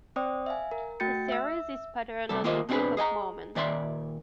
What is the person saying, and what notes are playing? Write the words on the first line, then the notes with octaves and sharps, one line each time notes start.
The series is patterned on the Book of Mormon.
C4 C5 D5 G5 D#6
E5 F5 G#5
A#4
A3 F#4 G5 G6 A6 C#7
E5 E6
C3 G3 A4
D#3 A#3 F4 A#4 C5 D#5
B2 C4 D4 E4 G#4 B4
G#4 D#5 G5 A#5
A#2 D#3 D5 E5 C6